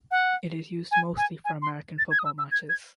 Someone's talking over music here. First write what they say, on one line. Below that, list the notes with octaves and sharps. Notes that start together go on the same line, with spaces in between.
It is used mostly for American football matches.
F#5
G#5
G#5
G#5
C6
A6
G#6
D#6
E6
E6
G#6
G#6